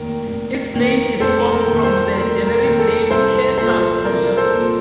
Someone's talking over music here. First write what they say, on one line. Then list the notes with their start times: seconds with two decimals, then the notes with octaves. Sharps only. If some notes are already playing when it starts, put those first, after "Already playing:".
Its name is formed from the generic name "Caesalpinia".
Already playing: F1 D#2 D#3 A#3 A#4
0.25 F1
0.74 D#2 D#3 A#3
1.20 F1 A4 C5
1.53 A#4
1.68 D#2 D#3 A#3
1.84 A4 C5
2.15 F1 A#4
2.47 A#4
2.63 D#2 D#3 A#3
2.79 A4
3.11 C2 A4 C5
3.57 A#2 F3 A4 C5
4.05 C2 A#4 D5
4.37 A4 C5
4.53 A#2 F3